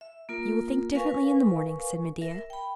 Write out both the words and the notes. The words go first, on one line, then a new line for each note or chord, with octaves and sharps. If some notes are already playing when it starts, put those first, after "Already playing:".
"You will think differently in the morning," said Medea.
E5
A#3 F4 A#4
A#4 B4 F5 G#5 C#6
A#4 E5
G5 B5